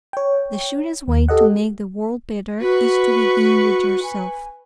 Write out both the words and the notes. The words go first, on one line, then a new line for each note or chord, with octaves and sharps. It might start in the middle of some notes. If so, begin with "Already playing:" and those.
The surest way to make the world better is to begin with yourself.
C#5 G5
D#2
G4 A4 D#5 F#5
F#4 B4 C#6
G#5